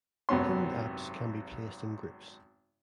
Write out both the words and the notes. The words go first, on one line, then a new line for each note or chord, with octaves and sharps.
Pinned apps can be placed in groups.
G#1 F#2 C3 B3 C#4 C6